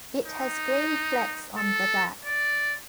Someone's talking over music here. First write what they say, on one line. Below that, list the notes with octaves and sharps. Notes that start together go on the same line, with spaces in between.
It has green flecks on the back.
D#4
A4
D5